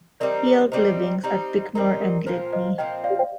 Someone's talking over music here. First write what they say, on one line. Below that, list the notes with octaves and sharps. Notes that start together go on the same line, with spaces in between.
He held livings at Bicknor and Lydney.
G3 C4 D#4 A#4 D5
C5
G3 C4 D#4 C5
G3 C4 D#4
G3 C4 D#4 A#4
A#4
A#2 F3 C4 F4 C5
C5 D#5
A#2 F3 C4 F4 D#5 G5
D5 F5